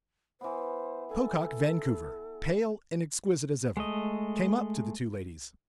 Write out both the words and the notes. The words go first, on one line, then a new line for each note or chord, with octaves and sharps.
Pocock Vancouver, pale and exquisite as ever, came up to the two ladies.
E3 B3 C5
G#4 A4 G#5
G#3 A3 D#5